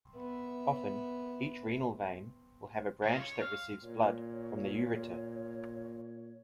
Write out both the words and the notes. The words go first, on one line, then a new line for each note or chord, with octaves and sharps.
Often, each renal vein will have a branch that receives blood from the ureter.
B3 E5
C#3 F4
C#5
F5
A#2 C#5